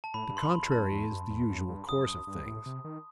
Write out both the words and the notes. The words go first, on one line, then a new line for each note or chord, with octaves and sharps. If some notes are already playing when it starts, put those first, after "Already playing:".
The contrary is the usual course of things.
A5
A2 B5
G2
C6
F#2 B5
E2
F#2 A5
E2
F#2
E2
F#2
G2
F#2 D#6
F#2
G2
A2
C3
D#3